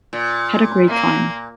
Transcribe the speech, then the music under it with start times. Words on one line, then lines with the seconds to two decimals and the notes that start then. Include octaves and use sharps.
Had a great time.
0.13 A#2
0.88 A#3